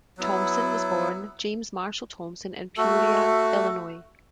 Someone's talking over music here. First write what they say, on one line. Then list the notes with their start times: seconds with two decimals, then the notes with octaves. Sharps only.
Thompson was born James Marshall Thompson in Peoria, Illinois.
0.18 F#3 B3 E4
2.77 A3 F#4 A4